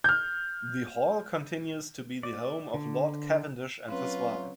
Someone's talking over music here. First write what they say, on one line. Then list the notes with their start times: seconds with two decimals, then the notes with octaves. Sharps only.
The hall continues to be the home of Lord Cavendish and his wife.
0.04 F6 G6
2.23 D5
2.74 D3
3.88 F#3 C4 C#4 F4 B4